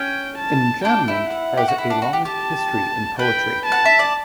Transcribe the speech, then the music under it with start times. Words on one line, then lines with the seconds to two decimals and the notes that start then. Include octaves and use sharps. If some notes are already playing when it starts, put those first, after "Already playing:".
Enjambment has a long history in poetry.
Already playing: C#4 G5
0.38 A5
0.84 D4 G5
1.08 E4
1.31 F#5
1.57 G4
1.68 F#4
1.78 E4
1.90 D4
2.02 F#4
2.13 G4
2.25 G4 A5
3.19 B4 G5
3.65 A5
3.72 F#5
3.85 E5
3.99 D5